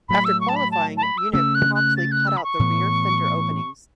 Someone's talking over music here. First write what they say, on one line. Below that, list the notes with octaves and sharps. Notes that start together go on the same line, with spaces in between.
After qualifying, Yunick promptly cut out the rear fender openings.
A2 F#3 A3 B5
E6
C#6
A5
B5
A5
A5
B5
E6
C#3 A3 C#4 E6
F#6
F#6
A6
F#6
E6
B5
C#6
A2 E3 B3